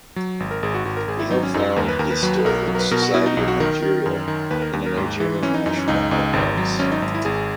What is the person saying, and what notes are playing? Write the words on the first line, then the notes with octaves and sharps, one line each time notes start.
He helped found the Historical Society of Nigeria and the Nigerian National Archives.
F#3
G#1
A#4
G#1 G#4
F#4
G#1 F#4
A#4
G#1 G#4
E4
F#3 D#4
C#4
F#2 D#4
D#2 A#4
B4
D#2 A#4
B4
F#3 B4
B1 A#4
F#3
A#4
B4
B2 A#4
F#4
B2 E4
D#4
B1 D#4
F#4
D#3 A#4
D#3
F#2
D#3
D#2 B4
A#4
D#2
A#4
G#2
E3
E3 C#4
D#4
F#2 D#4
C#4
C#2 D#4
C#2
G#1
F#3
G#1 C#4
D#4
G#1
E4
G#1 G#4